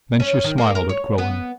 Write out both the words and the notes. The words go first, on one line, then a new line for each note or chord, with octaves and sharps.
Then she smiled at Quillan.
C#4
D#3
A#3
A#4
C#5
B3